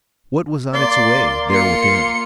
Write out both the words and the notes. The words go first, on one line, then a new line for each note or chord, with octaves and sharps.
What was on its way there within?
A#3 D5 C6
A#3 F4 C6 C#7